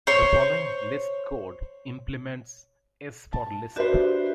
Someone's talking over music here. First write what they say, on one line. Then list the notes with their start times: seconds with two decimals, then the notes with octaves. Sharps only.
The following Lisp code implements s for Lisp.
0.07 C5 C#5
3.33 A5
3.76 D4 F#4 G4 B4 C5 E5